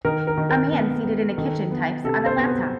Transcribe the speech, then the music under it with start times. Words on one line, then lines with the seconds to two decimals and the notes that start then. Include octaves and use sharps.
A man seated in a kitchen types on a laptop.
0.05 D#3 A#4
0.27 A#4
0.38 D#3
0.50 A#4
0.72 B3
1.04 B3
1.37 D#3 A4
1.71 B3
2.04 C3 A4
2.26 C5
2.37 B3
2.48 B4